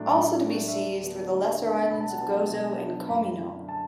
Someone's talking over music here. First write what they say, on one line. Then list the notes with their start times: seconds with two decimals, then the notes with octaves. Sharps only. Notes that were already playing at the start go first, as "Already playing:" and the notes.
Also to be seized were the lesser islands of Gozo and Comino.
Already playing: A2 F#3 A3 D4 D5
0.14 A2
0.44 F#3 A3 D4
0.68 E5
0.73 D2 D5
1.02 D3 B3 D4
1.32 D2
1.62 D3 B3 D4
1.91 B2 B5
2.01 A5
2.08 F#5
2.18 F#3 B3 D4 A5
2.50 B2
2.80 F#3 B3 D4
3.09 F#2 B5
3.39 D3 A3 D4
3.69 A5